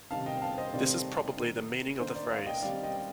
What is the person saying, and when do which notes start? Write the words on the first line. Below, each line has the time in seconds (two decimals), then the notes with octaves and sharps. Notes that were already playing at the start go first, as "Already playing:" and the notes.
This is probably the meaning of the phrase.
0.11 C3 D#3 G3 C4 F5 A5
0.26 D#5 G5
0.42 F5 A5
0.58 C5 D#5
0.74 C3 D#3 G3 C4 D5
1.37 D#3 A#3
2.00 D#3 A#3 C5
2.15 D5
2.31 D5 F5
2.47 D#5 G5
2.62 D#3 G3 C4 D5 F5
2.83 D#5 G5